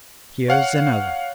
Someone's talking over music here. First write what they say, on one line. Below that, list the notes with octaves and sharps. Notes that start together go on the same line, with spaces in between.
"Here's another."
C#5 F5 F#5